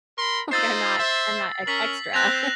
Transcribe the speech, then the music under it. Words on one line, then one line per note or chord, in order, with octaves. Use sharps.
like, I'm not I'm not ex extra,
A#4 B5 C6
D#4 F4 C5 E6 A6 C7
C5 E5
C#4 A#4 B6 F#7
C4 C5 F#6 A#6 F7